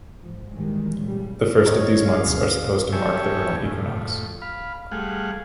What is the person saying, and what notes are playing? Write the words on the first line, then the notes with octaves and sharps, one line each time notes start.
The first of these months are supposed to mark the vernal equinox.
G#2 F3
A#2 D#3 E3 G3 G#3
A#2 C#3 G3
A2 A#4 C5 C#5 D#5
C#4 G#4 F5
D2 B2
G4 C#5 E5 G#5 A5
F2 A2
F5 B5
G3 A3 G#4 F5 F#5